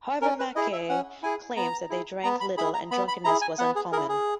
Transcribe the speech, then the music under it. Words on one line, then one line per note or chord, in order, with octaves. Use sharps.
However, Mackay claims that they drank little and drunkenness was uncommon.
C#4 A#4
B4
E4 G#4 D#5
E5
C#4 F#5
E4 G#4 G#5
B3 A#5
E4 G#4
B3 A#5
B5
E4 G#4 B5
A#5
B3 B5
B5
E4 G#4 A#5
G#5
B3 F#5
G#4
E4 G#4 A#4
G#4